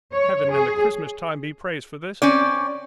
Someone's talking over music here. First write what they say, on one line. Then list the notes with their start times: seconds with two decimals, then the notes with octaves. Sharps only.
Heaven and the Christmas Time be praised for this!
0.14 C#5
0.52 G#4
2.22 C4 C#4 D5